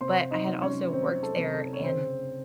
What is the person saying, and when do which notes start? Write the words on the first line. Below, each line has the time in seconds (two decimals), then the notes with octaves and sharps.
But I had also worked there and
0.01 C3 C5 C6
0.31 D#4 D#5
0.47 F#3
0.62 C#4 C#5
0.92 F#3 C4 C5
1.23 A4
1.38 C3
1.54 A4
1.73 C#5
1.84 C#3 C4 C5